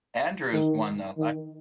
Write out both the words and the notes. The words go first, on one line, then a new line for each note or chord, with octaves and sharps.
Andrews won the election.
D#3
D#3